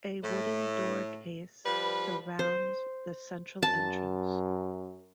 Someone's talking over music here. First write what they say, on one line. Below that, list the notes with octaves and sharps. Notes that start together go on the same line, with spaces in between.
A wooden door case surrounds the central entrance.
A2
F3 G3 B4
C5
F#2 A5